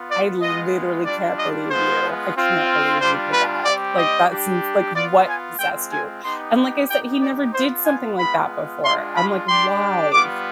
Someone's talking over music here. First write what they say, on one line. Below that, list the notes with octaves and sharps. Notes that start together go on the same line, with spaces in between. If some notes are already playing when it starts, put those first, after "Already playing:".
"I literally can't believe you, I can't believe you did that, like, that seems like what possessed you?" And like I said, he never did something like that before, I'm like, "Why?"
Already playing: B3 F4
D5
G#3 B3 F4 D#5
G3 D4 F4 D5
D#5
G#3 B3 F4 C5
C4 F4
G3 D4 F4 C5
B4
G3 C4 G4 D5
D#5
G3 D4 G4
B3 F4 D5
G#5
G#3 C4 F4 G5
G#5
B3 D#4 G4 C6
B3 D#4 G4 G5
D5
B3 F4 C5
G#5
G#3 B3 F4 B5
G#3 D4 F4 C6
B5
G3 D4 G4 C6
G3 B3 F4 D6